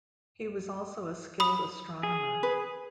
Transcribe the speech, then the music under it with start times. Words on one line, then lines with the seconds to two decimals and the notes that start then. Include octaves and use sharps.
He was also a skilled astronomer.
1.40 B5 D#6
2.03 G#4
2.43 B4